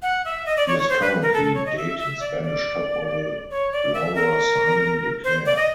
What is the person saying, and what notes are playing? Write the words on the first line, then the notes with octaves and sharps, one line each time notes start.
He is currently dating Spanish top model Laura Simon de Claire.
F#5
E5
D#5
D5
C#5
C#5
C5
B4
A#4
A4
A4
C#5
D#5
E5
E5
D5
D5
C#5
D5
E5
A#4
C5
D5
D#5